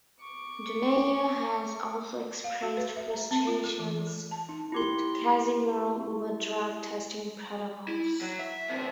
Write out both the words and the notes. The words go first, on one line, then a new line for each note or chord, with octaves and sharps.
Donaire has also expressed frustrations with Casimero over drug testing protocols.
C#6 D6
F5
F#4
B4
E5
A#5
C4
F4
A4
E3
A4
A5
D#4
E4 G4 C6
E4
F#3
E5
D2 C3